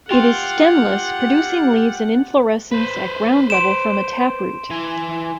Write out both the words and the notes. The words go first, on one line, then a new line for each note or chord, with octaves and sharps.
It is stemless, producing leaves and inflorescence at ground level from a taproot.
F4 G4 F#5 G5 C6
B4 C5
C6 D7 E7
E3 G#5